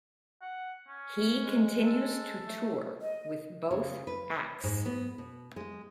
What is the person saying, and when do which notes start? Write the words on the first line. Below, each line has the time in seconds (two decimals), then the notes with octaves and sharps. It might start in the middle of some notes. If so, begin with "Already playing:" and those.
He continues to tour with both acts.
0.42 F#5
0.87 C#4
1.43 G#3
1.86 A4
2.47 A3
3.01 D#5
3.71 C#3
4.07 B4
4.64 G#2
4.86 B3
5.18 B2
5.56 G#3